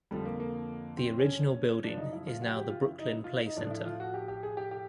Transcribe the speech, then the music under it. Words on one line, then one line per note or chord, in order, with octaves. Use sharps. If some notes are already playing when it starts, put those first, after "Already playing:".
The original building is now the Brooklyn Playcentre.
F2 D3 F3 G3
A#3
A#3
C4
C#4
F#2 C#3 F3 D4
D#4
E4
F4
F#4
G4
F4
E4
D#4
E4
F4
E4
D#4
A2 F3 D4
E4
F4
F#4
G4
G4
G#4
G4
G4